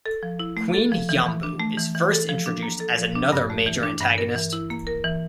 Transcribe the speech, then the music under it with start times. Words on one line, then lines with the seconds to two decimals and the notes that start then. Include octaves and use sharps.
Queen Yambu is first introduced as another major antagonist.
0.06 A4
0.23 F3
0.40 E4
0.57 A3
0.74 A4
0.92 F3
1.09 E3
1.26 E3
1.43 D4
1.60 A3
1.78 E3
1.95 E3
2.12 A4
2.29 F3
2.46 D4
2.63 A#3
2.80 A4
2.98 F3
3.15 D4
3.32 G2
3.50 A3
3.66 E3
3.83 D4
4.01 G2
4.18 A#4
4.36 E3
4.53 E4
4.70 A#3
4.87 A#4
5.04 E3